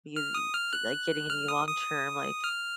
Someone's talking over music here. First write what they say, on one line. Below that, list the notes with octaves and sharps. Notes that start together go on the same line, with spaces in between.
be, like, getting any long term, like,
F6
D#6
F6
F#6
F6
D#6
D#6
F6